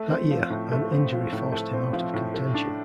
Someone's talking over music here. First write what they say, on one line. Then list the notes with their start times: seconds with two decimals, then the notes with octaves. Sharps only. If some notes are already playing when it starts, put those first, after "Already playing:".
That year, an injury forced him out of contention.
Already playing: A3
0.10 C4
0.31 F3
0.50 A2
0.71 A3
0.92 C4
1.12 F3
1.32 A2
1.52 A3
1.73 C4
1.93 F3
2.14 A2
2.34 A3
2.54 D4